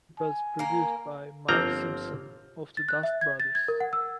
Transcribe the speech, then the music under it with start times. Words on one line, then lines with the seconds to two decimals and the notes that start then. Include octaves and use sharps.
It was produced by Mike Simpson of the Dust Brothers.
0.19 G#5
0.59 A#3 A#4
1.49 G1 F3 A#3 C4 A#5
2.77 A6
2.89 F#6
3.03 E5
3.21 G#6
3.40 A6
3.55 G#6
3.68 A#4
3.80 F#5
3.93 E6